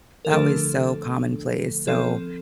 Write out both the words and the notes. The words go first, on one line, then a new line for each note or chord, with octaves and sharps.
that was so commonplace, so
A#4
D3 F3 A3 D4 A4
F3 C4 A4